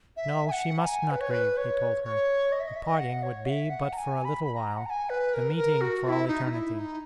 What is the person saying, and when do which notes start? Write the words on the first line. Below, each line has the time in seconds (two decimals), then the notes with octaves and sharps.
No, she must not grieve, he told her; the parting would be but for a little while, the meeting for all eternity.
0.17 E5
0.48 G#5
0.51 F#5
0.80 A#5
0.85 G#5
1.11 B4
1.21 C#5
1.31 B4
1.57 C#5
2.04 C#5
2.52 D#5
2.60 E5
2.67 D#5
2.76 E5
2.84 D#5
2.98 F#5
3.23 C#5
3.46 F#5
3.50 E5
3.70 F#5
3.93 A#5
3.97 G#5
4.25 B5
4.44 B5
4.55 A#5
4.77 F#5
4.86 A#5
4.90 G#5
5.10 B4
5.34 A#4
5.57 A#4
5.81 F#4
6.04 F#4
6.09 E4
6.28 D#4
6.46 D#4
6.51 E4
6.74 E4
6.79 D#4